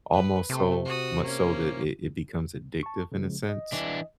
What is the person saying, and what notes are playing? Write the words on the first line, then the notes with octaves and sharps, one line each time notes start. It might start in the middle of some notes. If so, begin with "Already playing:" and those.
almost so much so that it it becomes addictive in a sense.
B4
C3 A3
F#4 D#6
A#3 C#4
A5 C#6
C#3 F3 G#3
D#5
E3 D4